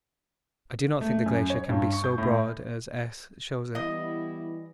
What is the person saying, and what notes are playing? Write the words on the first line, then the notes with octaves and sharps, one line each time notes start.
I do not think the glacier can be so broad as S. shows it.
A3
F#2
C#5
G2
C#6
G6
A2
E3 G3 B3 E4 D#5 D#6